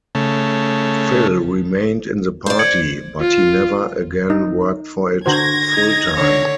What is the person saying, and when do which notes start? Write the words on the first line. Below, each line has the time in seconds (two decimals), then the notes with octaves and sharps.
Phil remained in the Party, but he never again worked for it full time.
0.15 C#3 A3
2.46 C5 D5
2.59 G#6 C#7 F#7
3.21 F4
4.30 D#4
5.26 D3 F#4 C5 G#6 A#6
5.73 D#4
6.16 D3 C#5